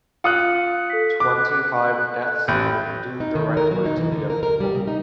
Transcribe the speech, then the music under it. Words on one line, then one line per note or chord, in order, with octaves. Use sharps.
Twenty-five deaths were due directly to the upheaval.
F4 D#6 F#6 C#7
A4 B6
D6 F#6
A1 B5 G6
D#4
D#3
A#4
F#3
D#4
E3
D3
A#4
A#4
G3
C#3
D#4